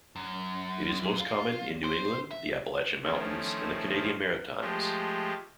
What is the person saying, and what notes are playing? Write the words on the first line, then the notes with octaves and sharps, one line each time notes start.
It is most common in New England, the Appalachian Mountains, and the Canadian Maritimes.
F#2
F4
C5
E5
D#3 F3 A3 C4 C#4 E4
F3 G#3 A3 G4